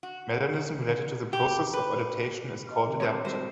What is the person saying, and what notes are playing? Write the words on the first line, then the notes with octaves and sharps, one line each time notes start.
Melanism related to the process of adaptation is called adaptive.
F#4
G4
B4
B4 D#5
C3 D#3
D3 F3 G#3 C4 C#5
A2 G3 C4 F#4 C5